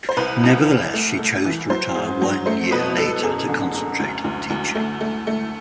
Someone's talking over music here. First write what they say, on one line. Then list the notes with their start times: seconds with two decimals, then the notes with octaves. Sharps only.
Nevertheless, she chose to retire one year later to concentrate on teaching.
0.09 C5
0.17 C2 B4
0.43 C2
0.68 C2
0.93 A3
1.19 A3
1.45 E3
1.70 F#3 C5
1.95 G#2
2.22 F#3
2.46 A3 C5
2.71 B2 B4
2.97 B2 A4
3.23 F#2 G#4
3.49 D3
3.73 F#2
3.99 D2
4.24 D2
4.50 D2
4.75 A3
5.01 A3
5.27 A3